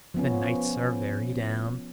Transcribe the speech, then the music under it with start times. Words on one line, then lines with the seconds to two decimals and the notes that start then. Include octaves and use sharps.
"The nights are very damp!"
0.14 F3 B3 C#4